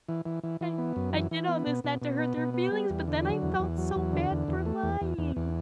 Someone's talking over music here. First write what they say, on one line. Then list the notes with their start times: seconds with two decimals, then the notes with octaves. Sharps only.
I I did all this not to hurt their feelings, but then I felt so bad for lying.
0.09 E3
0.25 E3
0.43 E3
0.61 E3
0.78 B3
0.96 F#2
1.14 E3
1.31 E3
1.48 B3
1.67 B2
1.84 B2
2.01 B2
2.19 B3
2.37 B2
2.54 B3
2.72 G3
2.90 E2
3.08 D3
3.25 F#3
3.42 E2
3.60 E2
3.78 F#3
3.95 E2
4.13 D3
4.31 E2
4.48 E2
4.66 A3
4.83 E2
5.01 E2
5.18 E2
5.36 E2